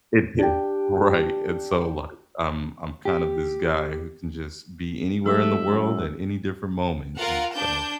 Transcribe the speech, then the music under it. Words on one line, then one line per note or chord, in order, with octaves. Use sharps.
It did. Right. And so, like, I'm I'm kind of this guy who can just be anywhere in the world at any different moment and so,
D4 G4
G4
F#3 A3 D#4 G4 E5 E6
F#2 G#3
F4 A#4 F5 F#5
D4 G6